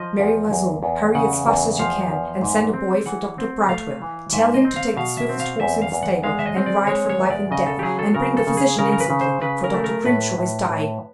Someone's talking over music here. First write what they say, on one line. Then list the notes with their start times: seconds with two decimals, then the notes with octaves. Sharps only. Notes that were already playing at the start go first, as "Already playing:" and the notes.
Mary L'Oiseau, hurry as fast as you can, and send a boy for Dr. Brightwell; tell him to take the swiftest horse in the stable, and ride for life and death, and bring the physician instantly, for Dr. Grimshaw is dying!
Already playing: F3 D#5
0.20 E2
0.52 E2
0.83 E2
1.15 C#3 F#5
1.47 E2
1.79 F3 F5
2.10 E2
2.42 G#2
2.73 C4
3.06 E3 F#5
3.38 C4
3.69 A3 F5
4.02 E3
4.33 G#2 E5
4.54 D#5
4.65 C4
4.76 F5
4.97 B2 F5
5.17 E5
5.29 C4
5.40 F5
5.60 E2 E5
5.82 F5
5.92 E2
6.03 F#5
6.23 G#3 F5
6.39 E5
6.46 D#5
6.56 C4
6.66 D5
6.87 G#3 C#5
7.09 C#5
7.19 E2
7.30 D5
7.51 C#3 D#5
7.67 A4
7.79 G4
7.82 F#3 G#4
7.99 A4
8.14 C#3 A#4
8.37 A4
8.47 C#3
8.57 G#4
8.79 C#3 A#4
8.92 A#4
9.00 B4
9.10 C#3
9.21 C5
9.42 C#3 B4
9.64 A#4
9.74 A3
9.84 A#4
10.05 A2 B4
10.38 A2
10.69 A2